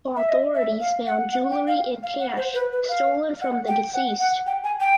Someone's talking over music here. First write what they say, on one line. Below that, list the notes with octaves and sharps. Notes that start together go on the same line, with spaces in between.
Authorities found jewelry and cash stolen from the deceased.
E5
D#5
E5
F5
F#5
F#5
G5
F5
F5
F#5
C5
B4
B4
F5
F#5
G5
F#5
F#5
G5
G#5
G5